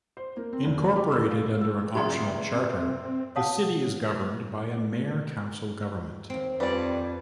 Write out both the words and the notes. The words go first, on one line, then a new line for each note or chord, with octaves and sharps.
Incorporated under an "optional charter", the city is governed by a mayor-council government.
C5
A#3
C4
F1
D#2
G4
E6
F5
E6
A#2 C#3 F#3 E5 C6
C4
C#5 F5 F#5 A5 D#6
D#2 C4
F2 G3 B4 D5